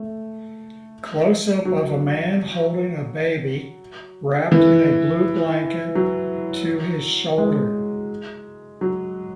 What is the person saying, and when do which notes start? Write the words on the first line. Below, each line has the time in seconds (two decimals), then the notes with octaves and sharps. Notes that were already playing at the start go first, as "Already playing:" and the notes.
Closeup of a man holding a baby, wrapped in a blue blanket, to his shoulder.
Already playing: A3
1.65 F#3
4.52 E3
5.95 F#3
7.38 G#3
8.81 F#3